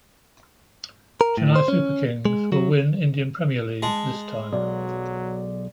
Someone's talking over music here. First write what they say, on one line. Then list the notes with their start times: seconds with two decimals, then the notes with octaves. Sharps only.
Chennai Super Kings will win Indian Premier League this time.
1.21 A#4
1.37 A2
1.56 C5
1.68 C#4
2.25 G#3
2.52 F#3
3.82 G#3 A5
4.53 B1 F#3 D5